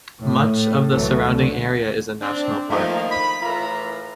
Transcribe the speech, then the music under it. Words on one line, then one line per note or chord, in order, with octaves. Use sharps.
Much of the surrounding area is a National Park.
A2
C#2 E3 F#3 A3
D3
C4 D4
D#3 F3 A3 A#3 D#4
B5
A2 E3 F4 A#4 A#5